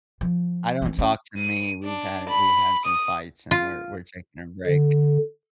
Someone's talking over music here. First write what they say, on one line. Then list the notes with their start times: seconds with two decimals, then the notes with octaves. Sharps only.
I don't talk to me, we've had we've had some fights and we're we're taking a break.
0.21 F3
0.82 E3 C4
0.99 C#4
1.38 D#7
1.84 D4
2.29 B5
2.85 D#6
3.51 F4
4.66 D3